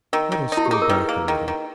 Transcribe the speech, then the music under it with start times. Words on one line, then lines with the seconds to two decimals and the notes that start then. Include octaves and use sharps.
Let us go back a little.
0.13 D#3 A#4
0.32 D#3
0.52 D#4
0.57 E4
0.66 G4
0.71 D#4 G#4
0.82 A#4
0.90 D#3 B4
1.09 A#3
1.28 D#3
1.48 D#3